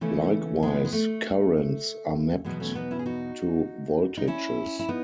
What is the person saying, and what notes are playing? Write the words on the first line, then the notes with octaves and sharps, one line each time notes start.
Likewise, currents are mapped to voltages.
E2 C#3 E3 A3 C#4
G#3 B3
G#3
A3
E2 B2 F#3 G#3 B3
A3 C#4
B3 D#4
C#4 E4
G#4
D#4 F#4
D#4
C#4 E4
E4
B3 D#4